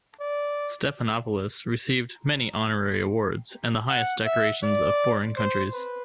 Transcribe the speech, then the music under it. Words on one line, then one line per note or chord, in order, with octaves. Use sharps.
Stephanopoulos received many honorary awards and the highest decorations of foreign countries.
D5
F#5
E5
D5
C5
B4